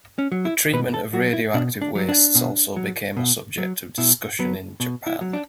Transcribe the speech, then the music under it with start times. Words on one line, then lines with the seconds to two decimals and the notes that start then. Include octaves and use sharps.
The treatment of radioactive wastes also became a subject of discussion in Japan.
0.18 C#4
0.32 F#3
0.45 E4
0.73 B2 B4
0.94 A4
1.13 F#3 F#4
1.33 E4
1.54 B2 D4
1.82 D4
1.95 F#3
2.09 D4
2.35 B2
2.76 F#3
3.17 B2
3.58 F#3
3.98 B2 E4
4.39 F#3 B3
4.80 B2
5.07 E4
5.21 F#3
5.33 D4